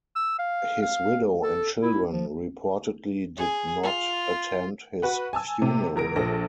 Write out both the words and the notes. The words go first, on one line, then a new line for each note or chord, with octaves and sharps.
His widow and children reportedly did not attend his funeral.
E6
F5
F5
A4
E4
F3
G#4
F4
F#4 B4 F#5
G#5 A5 E6
C3
E2 A#4 A#6 D7
A#1 F3 A4 A#6